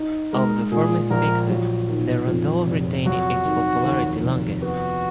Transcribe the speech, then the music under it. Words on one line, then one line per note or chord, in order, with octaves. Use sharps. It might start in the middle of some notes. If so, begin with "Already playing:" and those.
Of the "formes fixes", the rondeau retained its popularity longest.
Already playing: D#4
G#3 A#4
A#2 G#4
A#1 A#4
F#3
D#3
F2
F1
F#3 F#4
D#3
D#2
F1
B3 F#4